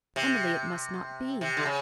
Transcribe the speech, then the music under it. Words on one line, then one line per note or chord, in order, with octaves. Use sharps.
"Emily, it must not be."
C3
C3
D3
C#3